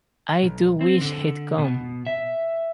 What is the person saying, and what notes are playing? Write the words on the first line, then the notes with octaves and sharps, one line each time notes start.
I do wish he’d come.
B1
C4
D3
B2
E5